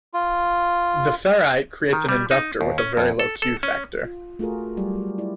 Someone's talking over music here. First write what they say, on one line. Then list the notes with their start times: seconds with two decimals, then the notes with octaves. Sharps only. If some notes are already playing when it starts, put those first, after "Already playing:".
The ferrite creates an inductor with a very low Q factor.
0.14 F4
1.93 D#3
2.09 G3
2.31 D#4
2.61 D#2
2.78 C#4
2.97 F2
3.19 A4
3.42 A4
3.63 C#4
4.05 F4
4.39 A3 F4 F#4 G#4 A#4
4.77 F#3 G3 G4
5.18 E4 D5